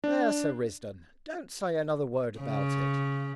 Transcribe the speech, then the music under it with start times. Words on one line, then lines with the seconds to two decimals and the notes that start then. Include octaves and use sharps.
There, Sir Risdon; don't say another word about it.
0.04 D4
2.39 C#3